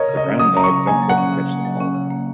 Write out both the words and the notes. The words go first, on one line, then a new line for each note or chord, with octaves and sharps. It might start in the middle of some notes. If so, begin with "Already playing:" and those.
The brown dog jumps up to catch the ball.
Already playing: A#4 C#5 D#5
C#3
D#5
C#4
F#3 D#6
C#4 A#5
C#6
C#3
A#3 G#5
F#3
F#5
C#4
C#3
A#3
F#3
C#4
C#3
A#3